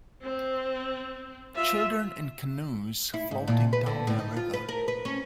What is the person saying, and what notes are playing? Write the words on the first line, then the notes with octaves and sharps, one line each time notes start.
Children in canoes floating down a river.
C4
F4 E5
E4
G#2
A#2
B4
D3
A2
D#4
F4
B4
A#4
B4
C#4